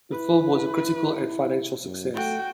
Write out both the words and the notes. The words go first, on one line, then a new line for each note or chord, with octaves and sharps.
The film was a critical and financial success.
E4 B4
F#2
A3 F#4 G5